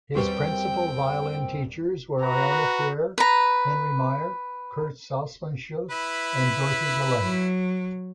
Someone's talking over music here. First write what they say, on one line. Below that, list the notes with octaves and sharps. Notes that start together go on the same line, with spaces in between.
His principal violin teachers were Ilona Feher, Henry Meyer, Kurt Sassmannshaus, and Dorothy DeLay.
E2 G3 C4 F#4 G4 A#4 B4 G5
F#4 B4 A#5
B4 A#5
E4 B4
F#3